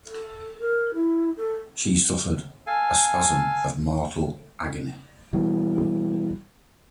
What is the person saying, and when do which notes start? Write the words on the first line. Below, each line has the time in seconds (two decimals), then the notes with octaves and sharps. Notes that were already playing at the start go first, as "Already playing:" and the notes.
She suffered a spasm of mortal agony.
0.06 A4
0.60 A#4
0.94 E4
1.37 A4
2.67 A4 F5 G#5
5.33 B2 E3 G3